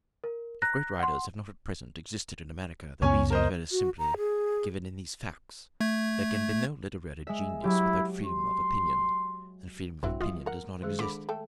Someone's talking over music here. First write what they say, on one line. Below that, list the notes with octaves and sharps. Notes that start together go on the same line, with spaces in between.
If great writers have not at present existed in America, the reason is very simply given in these facts; there can be no literary genius without freedom of opinion, and freedom of opinion does not exist in America.
A#4
A#5 F#6 A#6
F#5 C6
C#2 F#2 B3 C#4 C#5 G#5
A#4 C5 D#5
F#4
A#5
G#4
A3 G#6
G#3 E5
F#3 E4 G4
C6
A#1 G2 C4 E4 F#4
F#3 F4
A#4 F#5
D#3 G#3 G#4
D3 B5 D6
A3 A4 G5